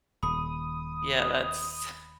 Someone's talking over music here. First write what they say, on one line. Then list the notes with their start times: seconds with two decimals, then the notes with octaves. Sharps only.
Yeah, that's
0.23 D#1 B5 D#6